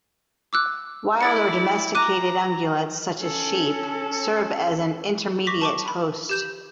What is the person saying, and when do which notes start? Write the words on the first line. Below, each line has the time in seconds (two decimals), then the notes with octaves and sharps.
Wild or domesticated ungulates, such as sheep, serve as an intermediate host.
0.53 D6 E6 F#6
1.21 E4 D5 G#6 A6 C#7
1.95 A#5 D6 F#6 D#7
3.19 C#4 A4
5.47 C#6 D6 A#6 B6
5.61 A5 C#6 D6
5.88 B5
6.29 G4 G6 E7